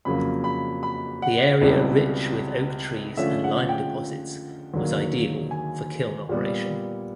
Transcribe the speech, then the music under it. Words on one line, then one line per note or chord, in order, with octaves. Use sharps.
The area rich with oak trees and lime deposits was ideal for kiln operation.
F2 C#3 F#3 A#3 B5
B5
B5
F#5
C#2 B2 G3 C4 E4
D3 F3 A3 C#4 E5
F#5
G5
D#2 D3 F#3 A#3
G#5
A#2 G3 B3